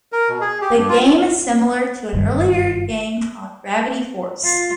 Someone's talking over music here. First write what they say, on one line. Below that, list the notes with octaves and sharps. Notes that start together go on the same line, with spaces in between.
The game is similar to an earlier game called Gravity Force.
A#4
B2
G#4
G4
G2
F4
F#1 G2 D#3 G3
F4